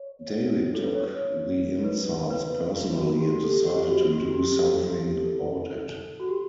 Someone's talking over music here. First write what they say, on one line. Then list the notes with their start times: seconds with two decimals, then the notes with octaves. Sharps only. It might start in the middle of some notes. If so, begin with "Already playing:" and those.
David took the insults personally and decided to do something about it.
Already playing: C#5
0.74 A4
0.84 B4
0.94 C#5
1.84 B4
2.30 B4
2.98 F#4
3.20 G4
3.33 G4
3.44 A4
3.66 G4
3.89 F#4
4.12 G4
4.34 G4
4.57 A4
4.87 G4
5.18 A4
6.20 F#4
6.29 G4